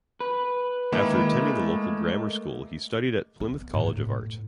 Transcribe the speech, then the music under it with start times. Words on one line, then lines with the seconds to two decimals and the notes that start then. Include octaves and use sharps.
After attending the local grammar school he studied at Plymouth College of Art.
0.20 B4
0.92 D#3 G#3 A#3 E4
1.28 G#3 A3
3.40 B3
3.73 A2